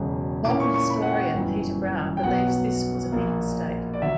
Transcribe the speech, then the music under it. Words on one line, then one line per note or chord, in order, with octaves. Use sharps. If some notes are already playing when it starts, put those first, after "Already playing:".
Modern historian Peter Brown believes this was a big mistake.
Already playing: E1 E2 C#3 F#3
A#2 A#3 C#4 E4 D6
C#6
C#6
B5
F#5
G5
G1 F#2 E3
G5
B1 B2 F#3 B3 F#5
A#1 A#2 A#3
D5
D3 F#3 E5